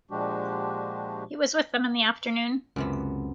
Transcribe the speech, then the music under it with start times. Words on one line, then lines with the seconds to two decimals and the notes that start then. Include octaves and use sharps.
He was with them in the afternoon.
0.11 A#2 F3 G#3 D4 F#4 G4
2.76 C#2 F#2 C3 B3